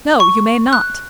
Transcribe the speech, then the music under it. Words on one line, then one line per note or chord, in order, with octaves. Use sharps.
"No; you may not."
C#6
F#6